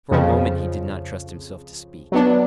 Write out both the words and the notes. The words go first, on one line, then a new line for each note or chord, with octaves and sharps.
For a moment he did not trust himself to speak.
F2 C#3 F3
F#3 B3 D4